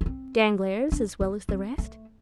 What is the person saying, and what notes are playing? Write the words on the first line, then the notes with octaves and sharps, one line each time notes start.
"Danglars, as well as the rest?"
B3
C4
D4
B3
C4
A3